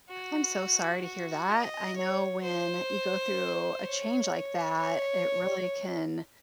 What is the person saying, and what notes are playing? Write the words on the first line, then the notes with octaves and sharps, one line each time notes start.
I'm so sorry to hear that. I know when you go through a change like that, it really can
F#4
F#4
D#5
C#5
C5
C#5
C#5